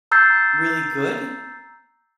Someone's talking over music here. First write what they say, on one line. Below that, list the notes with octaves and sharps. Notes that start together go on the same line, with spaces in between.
really good?
A#5 E6 G6 A6 C7